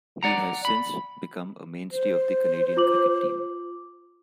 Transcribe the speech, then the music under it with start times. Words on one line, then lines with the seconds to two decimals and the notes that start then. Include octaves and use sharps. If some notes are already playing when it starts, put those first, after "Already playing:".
He has since become a mainstay of the Canadian cricket team.
0.23 D5 F#5 A#5
0.65 B5
1.92 C5
2.77 F4 D6 F#7